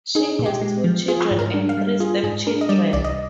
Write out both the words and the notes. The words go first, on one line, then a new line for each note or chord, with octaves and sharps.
She has two children and three stepchildren.
D#4 G#4
A#2
G4
G#3
F3
F4 G#4
G#2
A#4
D4
F5
G3
F4 G#4
G#2 G#4
D4 A#4
D#5
G3 D5
C2 D5
D#5